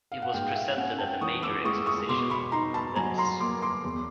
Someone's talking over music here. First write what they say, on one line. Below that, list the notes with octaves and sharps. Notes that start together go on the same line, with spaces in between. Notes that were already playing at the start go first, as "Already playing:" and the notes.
It was presented at a major exposition in Venice.
F5
F#5
G#2 F5 G5
E5 F#5
C#4 F#5 G#5
G5 A5
E3 C#6 D#6
D6 E6
G#3 C#6 D#6
C#6 D#6
B2 C6 D6
B5 C#6
D#4 A#5 C6
A5 B5
F#3 G#5 A#5
A#5 C6
A#3 C6 D6
C6 D6
E2